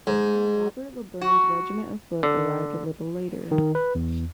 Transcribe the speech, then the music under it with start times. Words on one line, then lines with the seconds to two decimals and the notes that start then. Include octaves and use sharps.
Colonel Robert Lilburne's regiment of foot arrived a little later.
0.07 G#2
1.21 F#4
2.23 D3
3.51 D#3
3.75 B4
3.95 E2